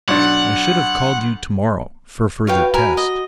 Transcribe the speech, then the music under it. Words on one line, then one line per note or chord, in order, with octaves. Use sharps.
I should have called you to-morrow, for further test.
B1 D4 F#5
F#4 B4 C#5 F5 G5
F#4 A#4 B4 G#5
D#5